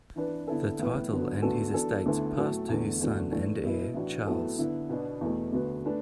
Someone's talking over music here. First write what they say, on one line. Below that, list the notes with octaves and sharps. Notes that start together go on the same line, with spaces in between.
The title and his estates passed to his son and heir Charles.
E3 D4 B4
D3 B3 E4 A4
A2 E3 B3 E4 B4
D3 F#3 B3
D2 D3 B3 F#4 A4
E3 B3 D4 F#4 A4
D2 D3 B3 E4 A4
A2 F#3 A3 F#4 A4
E2 D3 A3
E2 D3 A3 F#4
E3 A3 D4
B2 B3 E4
A2 E3 D4 F#4
A2 F#3 B3 E4 A4
D3 B3 E4
B2 B3 D4 F#4
E2 B2 A3
D2 D3 B3 F#4 B4
A3 D4 B4